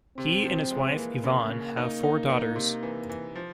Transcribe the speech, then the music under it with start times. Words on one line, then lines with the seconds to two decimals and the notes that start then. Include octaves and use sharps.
He and his wife Yvonne have four daughters.
0.17 C3 C4
0.44 F3
0.71 G#3
0.97 E3 A#3
1.24 C#3
1.50 C#3
1.77 D#4
2.03 D#4
2.30 D#4
2.56 C3
2.83 E3
3.09 E3
3.35 F3